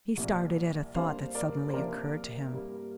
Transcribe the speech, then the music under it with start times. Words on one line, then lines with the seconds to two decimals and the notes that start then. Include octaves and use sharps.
He started at a thought that suddenly occurred to him.
0.17 C2 A#2 F3
0.95 G2 G3 A#3 D4 C5 F5
1.35 A#4 D5
1.69 C5
1.74 C3 F3 A#3 D4 A#4 D5
2.52 G2 G3 A#3